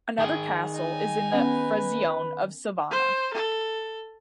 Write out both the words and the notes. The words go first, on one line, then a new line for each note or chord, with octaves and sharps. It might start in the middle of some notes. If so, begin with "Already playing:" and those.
Another castle is in the "frazione" of Sovana.
D#3 G#4
D#4 G#5
B3 C#4 B4 F#5
C5
A4